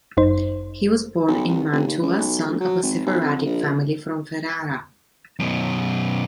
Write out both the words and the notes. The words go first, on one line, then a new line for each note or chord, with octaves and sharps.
He was born in Mantua, son of a Sephardic family from Ferrara.
G1 F#2 D#4 C5
B1
C2
F1
D#2
C#2
B1
D2
F#3
G#1
B1
F2
A#1
F#2 B2